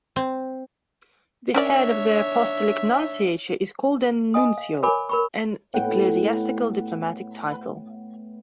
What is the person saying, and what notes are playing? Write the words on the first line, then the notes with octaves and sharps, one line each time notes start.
The head of the Apostolic Nunciature is called a "nuncio", an ecclesiastical diplomatic title.
C4
C#4 D4 A#4 C#5 D5 E5
D#5 G#5 D#6
F5
A#4 C#5 G#5 B5 D6
A#4 B5 C#6
A2 B3 F#5 G5